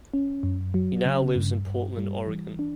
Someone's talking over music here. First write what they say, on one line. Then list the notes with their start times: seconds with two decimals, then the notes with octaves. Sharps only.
He now lives in Portland, Oregon.
0.14 C#4
0.43 F#2
0.74 F#3
1.06 C#3
1.36 G2
1.67 G2
1.98 G3
2.27 E3
2.59 D4